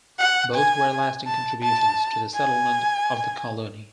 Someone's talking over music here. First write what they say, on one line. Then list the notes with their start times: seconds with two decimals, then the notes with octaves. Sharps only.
Both were lasting contributions to the settlement of the colony.
0.19 F#5
0.55 G#5
1.27 A5
1.63 A5
2.35 G#5